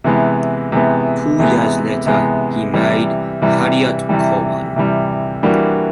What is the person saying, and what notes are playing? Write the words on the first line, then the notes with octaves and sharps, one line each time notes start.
Two years later he married Harriett Cowan.
C3 E3 G#3 B3
C3 E3 G#3 B3
C3 E3 G#3 B3
C3 E3 G#3 B3
C3 E3 G3
C3 E3 G3
C3 E3 G3
C3 E3 G3
E3 G3 A#3 D4 F#4